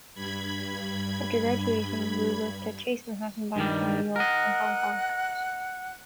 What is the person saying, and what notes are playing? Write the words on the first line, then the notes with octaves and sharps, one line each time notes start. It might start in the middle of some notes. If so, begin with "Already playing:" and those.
After graduating, Woo worked at Chase Manhattan Bank in New York and Hong Kong.
G2 B5 G#6
G2 D#3 G3
A#4 D#5 F#5 F#6